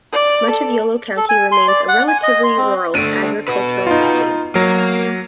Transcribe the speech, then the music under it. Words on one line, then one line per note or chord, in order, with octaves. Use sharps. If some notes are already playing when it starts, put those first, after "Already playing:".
Much of Yolo County remains a relatively rural agricultural region.
D5
A4
A4
G#5
C6
D5
F#5
G#5
D#5
C6
C4
A3 D4 D7 D#7
F#4 B4
D#4 F4
F#3 A#3